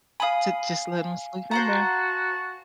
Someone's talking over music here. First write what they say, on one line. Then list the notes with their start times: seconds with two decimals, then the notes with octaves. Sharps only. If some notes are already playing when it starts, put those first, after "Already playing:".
To just let 'em sleep in there.
0.20 F5 G#5 B5 D#6
1.51 F#4 C5 F#5 A5 A#5